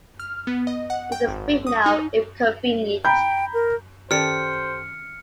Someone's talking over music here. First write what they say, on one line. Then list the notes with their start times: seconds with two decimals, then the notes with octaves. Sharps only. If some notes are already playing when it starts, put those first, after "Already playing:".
We can speak now, if convenient.
0.19 F6
0.47 B3
0.67 D#5
0.90 F#5
1.12 G5
1.27 G#1
1.67 D#6
1.86 D#4
3.05 G5 A#5 B5 G6
3.54 A#4
4.11 D#3 C#4 G4 A4 C5 D5 F6 C#7